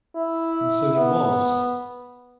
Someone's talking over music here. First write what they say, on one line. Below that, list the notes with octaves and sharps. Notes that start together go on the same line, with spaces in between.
And so he was.
E4
B3